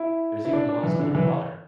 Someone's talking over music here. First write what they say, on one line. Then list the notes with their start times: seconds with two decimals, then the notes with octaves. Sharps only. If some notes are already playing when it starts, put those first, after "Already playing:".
There's even ones underwater.
Already playing: E4
0.45 E4
0.53 D4
0.69 D4
0.83 E3
0.99 D3
1.15 E3